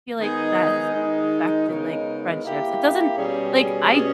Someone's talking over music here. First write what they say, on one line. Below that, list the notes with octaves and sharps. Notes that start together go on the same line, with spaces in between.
feel like that has affected, like, friendships, it doesn't like, I
D#3 G#3 B3 D#4 G#4
D#3 G#3 D#4 G#4
C#3 G#3 B3 D#4 A#4
A#3 E4 G4
B2 G3 C#4 G#4
B2 G3 C#4 G#4